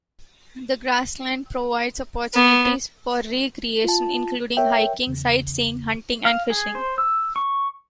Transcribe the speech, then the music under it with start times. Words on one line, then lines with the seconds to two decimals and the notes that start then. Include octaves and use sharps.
The Grassland provides opportunities for recreation, including hiking, sightseeing, hunting, and fishing.
2.34 B3
3.84 F4 A5
4.57 A#4 C#5 E5 G5
5.07 E2 C#3
6.25 F5
6.50 G#4
6.75 C5
6.98 E6
7.36 C#6